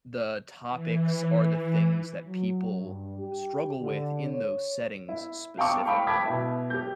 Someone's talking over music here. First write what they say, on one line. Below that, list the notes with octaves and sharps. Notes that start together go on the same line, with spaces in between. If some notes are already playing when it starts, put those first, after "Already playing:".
the topics are the things that people struggle with in those settings specifically.
E3
F#3
G2
G4
D3
C#5
E4
F5 G5 A5 A#5 C#6 D6
F5 G5 B5 C#6 D7
G5 A5 B5 D6 G#6 B6
B2 E4 E5
G4 G6